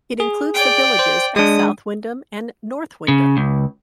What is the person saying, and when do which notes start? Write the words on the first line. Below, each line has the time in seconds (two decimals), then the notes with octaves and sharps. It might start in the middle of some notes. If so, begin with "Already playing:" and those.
It includes the villages of South Windham and North Windham.
0.20 G#4
0.54 D5 G5
0.99 C5
1.36 G#3 D4 D#6
3.08 C#3
3.37 C#2